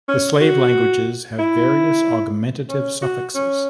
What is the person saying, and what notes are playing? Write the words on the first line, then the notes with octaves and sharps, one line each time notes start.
The slave languages have various augmentative suffixes.
C#4
F#4
E4
C#4
F#4
C#4